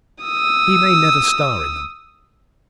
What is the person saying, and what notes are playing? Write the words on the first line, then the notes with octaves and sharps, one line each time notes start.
He may never star in them.
D#6 E6